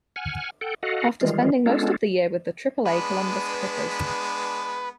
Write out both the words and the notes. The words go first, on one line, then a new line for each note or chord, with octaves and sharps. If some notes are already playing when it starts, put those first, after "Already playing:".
After spending most of the year with the Triple-A Columbus Clippers.
F#5 G#5 F6
A4 F#5 G5
F#4 A4 D#5 F5 F#5
D#3 E3 G3 G#3 F4
G#3 B3 C#4 D4 F4 A4
G#3 B3 D4 B4